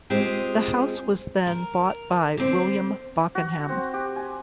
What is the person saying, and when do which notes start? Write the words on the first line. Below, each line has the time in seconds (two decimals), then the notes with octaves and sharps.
The house was then bought by William Bockenham.
0.10 G#3 C4 F4 G4 G#4
1.47 A#4
2.37 D3 C4
3.35 F#4
3.69 C4
3.94 G4
4.16 G#5